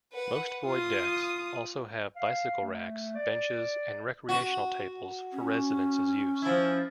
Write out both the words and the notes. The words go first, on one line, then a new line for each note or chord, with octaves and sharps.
Most void decks also have bicycle racks, benches, and recreational tables for residents' use.
B4 F#5
F4 D#6
F5
A3
D5
F#4
C#4
F3 E4